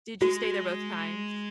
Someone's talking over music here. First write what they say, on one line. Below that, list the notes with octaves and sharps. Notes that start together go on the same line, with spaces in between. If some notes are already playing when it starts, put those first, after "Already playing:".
Did you stay there both times?
G#3 F#4